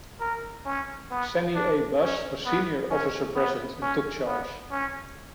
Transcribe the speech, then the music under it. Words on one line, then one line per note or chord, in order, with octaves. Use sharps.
Sammy A. Buss, was senior officer present and took charge.
A#4
C#4
B3
D4
C#4
B3
C#4
B3
C#4
B3
C#4